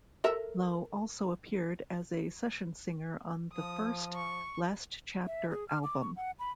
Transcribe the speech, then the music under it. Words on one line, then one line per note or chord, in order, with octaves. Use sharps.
Lowe also appeared as a session singer on the first Last Chapter album.
A4 A#4 E5
F3 D#6
C#6
E5
G#4
F6
D6
C#6
F#5
B5